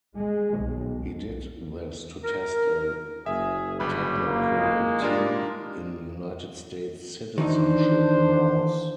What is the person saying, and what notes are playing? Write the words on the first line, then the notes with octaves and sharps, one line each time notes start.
He did this to test a technicality in United States citizenship laws.
G#3
B1
A#4
F#1 G#4 E5
G1 G3 B4 B5
A#3
G#3
G3 D4 F4 A#4
D#3 E3 D4 D#4 C5